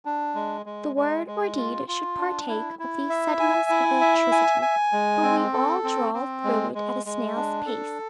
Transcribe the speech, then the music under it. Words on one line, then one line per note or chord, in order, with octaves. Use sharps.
The word or deed should partake of the suddenness of electricity; but we all drawl through it at a snail's pace.
D4
G#3
G#3
G#3
G#3
F4
F4
D4
E4
E4
E5
G#5
E4
E5
G#5
G#5
G#3
C4
A4
C4
C4
G#3
G#3
G#3
D4
A4